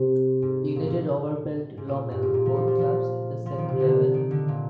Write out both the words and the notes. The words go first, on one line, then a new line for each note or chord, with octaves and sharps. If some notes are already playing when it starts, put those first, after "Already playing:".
United Overpelt-Lommel, both clubs in the second level.
Already playing: C3 C4
G#2
A#2
G#2
G#2
A#2
G2
G#2
A#2
F3
G3
F3
F3
F3
D#3
C3
D3
D#3
D3
A#2